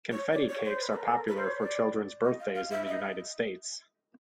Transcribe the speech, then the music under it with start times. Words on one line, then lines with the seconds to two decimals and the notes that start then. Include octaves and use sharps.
Confetti cakes are popular for children's birthdays in the United States.
0.11 C#5
0.32 D5
0.48 C#5
0.64 C5
0.80 B4
0.92 A4
0.96 A#4
1.06 A4
1.12 A#4
1.28 B4
1.37 C5
1.44 C#5
1.60 D5
2.23 D#5
2.39 F5
2.55 F5
2.71 E5
2.87 D#5